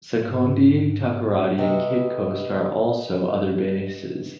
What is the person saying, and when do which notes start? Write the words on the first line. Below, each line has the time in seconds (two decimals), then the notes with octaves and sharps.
Sekondi-Takoradi and Cape Coast are also other bases.
0.18 G#2
1.58 C3 G#3 B3 F#4